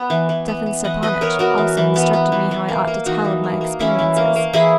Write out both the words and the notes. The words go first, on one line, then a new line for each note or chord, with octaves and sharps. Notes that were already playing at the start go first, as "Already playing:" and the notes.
Stepan Stepanych also instructed me how I ought to tell of my experiences.
Already playing: B3
E3
E3
B3
B3
E3 D#5 F#5
E3 B4 D#5
B3 A#4 C#5
B3 F#4 A#4
E3
E3
B3
B3
E3
E3
A#3
A#3
E3 D#4 F#4
E3
A#3
A#3
E3 C#4 E4
E3
A#3
A#3
E3 E4 G#4